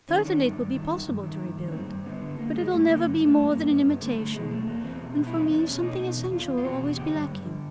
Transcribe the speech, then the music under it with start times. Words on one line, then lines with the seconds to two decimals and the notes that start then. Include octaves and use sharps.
Certainly it will be possible to rebuild, but it will never be more than an imitation, and for me something essential will always be lacking.
0.09 D#3 C#4
0.25 D#3 D4
0.41 G2 D4
0.58 G2
0.75 D#3
0.91 G2
1.08 G2
1.23 D#3
1.40 G2
1.57 D#3
1.68 C#4
1.72 G2 C4
1.89 G2
2.05 D3 B3
2.21 D3
2.39 D3 A#3
2.54 G2 G#3
2.71 G2 A3
2.87 D3 A#3
3.03 G2
3.20 G2
3.25 A3
3.37 G2
3.48 A#3
3.53 G2
3.69 G2 B3
3.85 G2
4.01 D3 A3
4.18 D3
4.34 B2 G#3
4.51 E2 A3
4.67 E2 A#3
4.84 E2 C4
5.00 B2
5.16 B2
5.27 E4
5.34 E2
5.40 D#4
5.49 E2 D4
5.66 B2 C#4
5.83 B2 D#4
5.98 B2 D#4
6.15 E2
6.31 E2 F4
6.48 E2
6.58 F4
6.64 B2 F#4
6.81 E2
6.97 D3 G4
7.13 G2
7.29 G2
7.45 D3